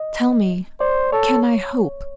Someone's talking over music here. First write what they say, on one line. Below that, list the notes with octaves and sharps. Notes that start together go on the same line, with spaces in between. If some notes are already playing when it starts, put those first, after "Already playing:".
Tell me, can I hope?
Already playing: D#5
C5 D5
A4 C#5